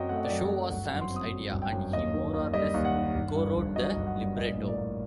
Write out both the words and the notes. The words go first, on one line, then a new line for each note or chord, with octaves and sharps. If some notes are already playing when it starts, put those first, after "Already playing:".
The show was Sam's idea, and he more or less cowrote the libretto.
Already playing: F#2 F#3 C4 D#5 G5
A3 F#5
D#5
D5
F#2 D#5
F#3
G1 F#5
F#5
F#2
C6
C4
D#6
F#3
G1
G5
F#2
D#2 D#5
D#3
D#2
G3 D#5
D#2
F#5
D#3
G1
G2
G1
F#3 D#5
G1
F#5
G2
A#1 D#5
A2
D5
A#3